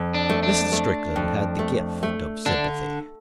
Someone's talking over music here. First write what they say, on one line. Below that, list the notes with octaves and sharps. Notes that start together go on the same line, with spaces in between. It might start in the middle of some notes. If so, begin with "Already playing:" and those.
Mrs. Strickland had the gift of sympathy.
Already playing: F2
D4
A3
D4
A3
F2
A3
A3
D3 D4